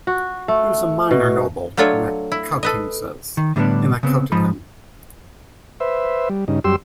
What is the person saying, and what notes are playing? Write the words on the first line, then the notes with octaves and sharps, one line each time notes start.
He was a minor noble near Coutances in the Cotentin.
F#4
A3
B2
F#3 A3 D4 F4 A4 C#5
E4
A4 B4 D#5
D#3
A2 D3 G3 A#3 B3 D4
C#3 B3 C4
G#2 F3 D#4 B5
B4 C5 E5
G3
G2 C#3 D#4
F#2 G3 G4 C6 E6